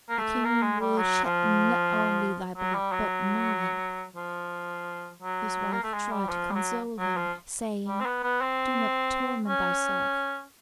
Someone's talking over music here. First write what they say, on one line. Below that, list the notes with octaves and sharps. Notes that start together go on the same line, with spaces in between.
The king will shed not only thy blood but mine." His wife tried to console him, saying: "Do not torment thyself.
A#3
A3
A#3
G#3
G3
F#3
F3
F#3
G3
F#3
F3
F#3
A#3
A3
G#3
G3
F3
G3
F#3
F#3
F3
G3
C4
B3
B3
C4
C#4